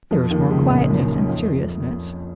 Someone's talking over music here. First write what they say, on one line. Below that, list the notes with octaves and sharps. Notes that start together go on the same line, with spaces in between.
There is more quietness and seriousness.
F2 F3
D#2 D#3
C#2 C#3
A#1 A#2
F#2
F#2
F2